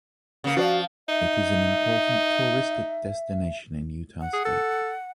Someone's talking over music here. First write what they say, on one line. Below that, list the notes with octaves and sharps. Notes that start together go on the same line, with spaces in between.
It is an important touristic destination in Utah State.
C#3 A#3
F3 F#4 D5
D#4 E5
F#5
G#4
A4